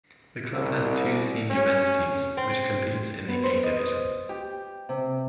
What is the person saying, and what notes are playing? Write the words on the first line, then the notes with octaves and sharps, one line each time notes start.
The club has two senior men's teams which competes in the A division.
C2
C#4
C4
B3
C5
D#5
G4
C3